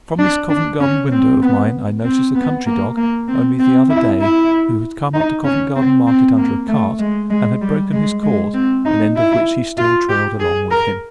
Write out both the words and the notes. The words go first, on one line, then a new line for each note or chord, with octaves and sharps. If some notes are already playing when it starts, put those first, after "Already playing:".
From this Covent-garden window of mine I noticed a country dog, only the other day, who had come up to Covent-garden Market under a cart, and had broken his cord, an end of which he still trailed along with him.
D4
D4
C#4
C4
B3
C4
B3
A#3
A#3
C4
C4
E4
E4
D#4
C#4
C4
C4
A#3
A3
G#3
G#3
G3
G#3
G#3
C4
D#4
E4
F4
G4
G#4
A#4